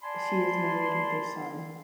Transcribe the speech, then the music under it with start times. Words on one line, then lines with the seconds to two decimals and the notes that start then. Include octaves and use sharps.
She is married with a son.
0.02 D5 G#5 A5 B5 C6